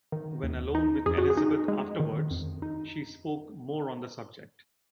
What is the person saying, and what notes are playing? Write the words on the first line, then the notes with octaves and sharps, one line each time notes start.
When alone with Elizabeth afterwards, she spoke more on the subject.
D#3
D#2
D#4
F2 G#4
F#4
G#4
D#4
G#3
D#3
F2
D#4